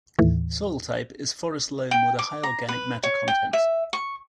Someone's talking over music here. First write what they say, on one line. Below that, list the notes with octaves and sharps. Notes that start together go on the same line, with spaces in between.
Soil type is forest loam with a high organic matter content.
D#2 A2 E3
G5
D6
A#5
B4
C#5
G5
E5
C#6